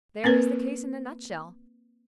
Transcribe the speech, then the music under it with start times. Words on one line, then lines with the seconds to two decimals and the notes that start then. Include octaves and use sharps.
There is the case in a nutshell.
0.24 A#3 C4 A#4 B4